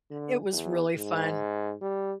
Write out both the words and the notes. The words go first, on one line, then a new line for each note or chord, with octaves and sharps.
It was really fun.
D3
E2
G#2
G3